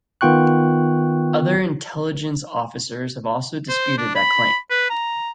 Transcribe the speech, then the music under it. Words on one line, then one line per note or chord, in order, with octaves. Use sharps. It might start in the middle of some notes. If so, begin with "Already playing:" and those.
Other intelligence officers have also disputed that claim.
D#3 B3 F4 G5 C#6 F#6
C5
D4
B5
B4
A#5